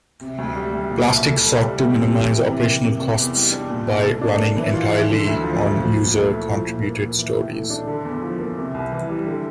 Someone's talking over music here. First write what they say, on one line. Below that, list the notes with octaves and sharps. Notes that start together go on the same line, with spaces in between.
Plastic sought to minimize operational costs by running entirely on user-contributed stories.
C3
D2
G3
D2
A#2
C2
A3
C2
G3
A2
C4
G4
E3
C3
A#3
C3
C3
E2
G3
D4
A#2
C2
A3
D4
A#3
E3
F4
E3
D3
D2
F3
D2
F3
A#2
A3
E4
F3
A#2
A#3
A#2
E3
A2
A3
D4
D3
E2
F3
A#3
C3
C2
E3
G3
D3